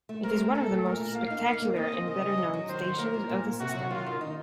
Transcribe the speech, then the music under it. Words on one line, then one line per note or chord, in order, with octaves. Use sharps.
It is one of the most spectacular and better-known stations of the system.
A3
C4 A#4
A3
A3 A4
A#2
A#2 A#4
A3
A#3 F5
D#4
A#3
A#3
C4 D#5
C4
C#3 D#5
D#4
F#3
F#3
D#3 C5
F#3
A#3 A#4
F3
A#2
A#2
C3 F#4
F#3
D#3 F4
D#3
D#4